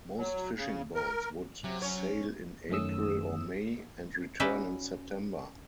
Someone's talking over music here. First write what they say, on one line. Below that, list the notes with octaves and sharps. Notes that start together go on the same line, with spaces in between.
Most fishing boats would sail in April or May and return in September.
F#3
C#3
A#4
C3 F#3
C#4 C#5
F#2 D#3 A3 C#4 D#6 E6
C#4 D#4 F#4 B4 D5 E5